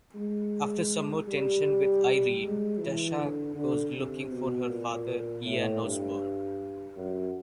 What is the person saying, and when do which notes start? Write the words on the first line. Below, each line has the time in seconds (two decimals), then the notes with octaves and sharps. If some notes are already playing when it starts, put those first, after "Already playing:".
After some more tension with Irene, Tasha goes looking for her father, Ian Osbourne.
0.15 G#3
1.28 G3
2.42 G#3
2.79 E3
3.17 D3
3.55 D3
3.94 C3
4.31 B2
4.69 A#2
5.45 A2
5.83 G2
6.96 F#2